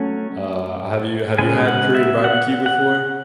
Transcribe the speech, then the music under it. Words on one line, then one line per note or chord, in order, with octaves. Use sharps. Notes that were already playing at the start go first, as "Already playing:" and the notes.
uh, have you have you had Korean barbecue before?
Already playing: F#3 A3 C#4 G#5
C#3 G#3 C#4 G#5
F#5
E5
F#5
F#5